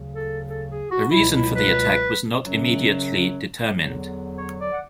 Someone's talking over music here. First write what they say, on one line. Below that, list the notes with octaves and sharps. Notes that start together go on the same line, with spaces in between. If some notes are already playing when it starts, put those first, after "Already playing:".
A reason for the attack was not immediately determined.
Already playing: D2 C#3 F#3
A4
A4
G#4
F#4
C#2 B2 F#3 E4
E4
B4
F#2 C#3 F#3
E2 D3 F#3
C#5
D5
F#5